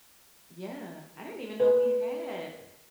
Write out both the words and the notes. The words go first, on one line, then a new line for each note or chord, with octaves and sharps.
Yeah. I didn't even know we had
B4